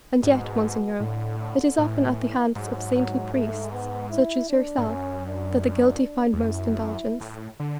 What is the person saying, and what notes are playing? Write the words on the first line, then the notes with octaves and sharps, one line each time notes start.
And yet, Monseigneur, it is often at the hands of saintly priests, such as yourself, that the guilty find most indulgence.
G#2 B2
A2 D3
D3
A2 E3
G#2 F#3
F#3
A3
B3
E4
D4
G#2
F#2 C#4
D4
D4
E2
F#2 E4
E4
A2
D3